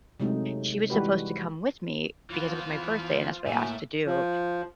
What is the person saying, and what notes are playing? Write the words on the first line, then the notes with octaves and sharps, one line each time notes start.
she was supposed to come with me because it was my birthday and that's what I asked to do.
C3 F#3 G#3 A3 D#4
E3 G3 G#3 F#4 G4 B4
E3 F3 B3 F4
A2 A#3 F#4 E5 G#5
F3